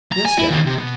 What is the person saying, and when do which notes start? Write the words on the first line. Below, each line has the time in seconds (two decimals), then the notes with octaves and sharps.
"Yes, dad."
0.12 A#5
0.25 G#5
0.39 E4
0.50 D#2
0.66 C3
0.78 B2